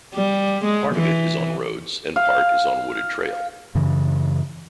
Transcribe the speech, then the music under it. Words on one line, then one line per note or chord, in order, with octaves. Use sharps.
Part of it is on roads and part is on wooded trail.
G3
G#3
E3
F5
F#2 C#3 E3